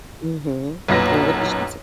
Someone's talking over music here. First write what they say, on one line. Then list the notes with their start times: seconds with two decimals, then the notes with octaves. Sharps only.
Mhm. And what did she say?
0.88 B1 F#2 A#2 B4 A#6